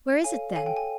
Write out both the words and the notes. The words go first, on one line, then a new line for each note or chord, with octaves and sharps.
"Where is it, then?"
A4 C#5 F5 G#5
A4 C#5 F5 G#5
G5
G#5